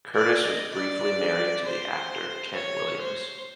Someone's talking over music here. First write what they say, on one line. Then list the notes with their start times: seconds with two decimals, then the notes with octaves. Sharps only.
Curtis was briefly married to the actor Kent Williams.
0.14 D5
0.44 D#5
0.73 D5
1.64 C5
2.53 C#5
2.99 C5